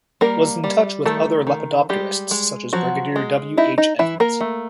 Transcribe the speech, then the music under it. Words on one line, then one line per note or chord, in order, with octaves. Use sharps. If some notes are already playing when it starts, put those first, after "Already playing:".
Was in touch with other lepidopterists such as Brigadier W. H. Evans.
G3 A#3 A#4
G3
D#3 A3 A4
D#3
G3 G#3 G4
G#3
F3 F#3 F#4
G#3
D#4 E4
D#4
E3 E4
A#3 A#4
A3